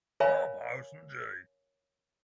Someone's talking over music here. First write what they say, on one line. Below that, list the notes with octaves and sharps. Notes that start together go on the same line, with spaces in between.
Hobhouse and J.
A#4 C#5 E5 F5 G#5 B5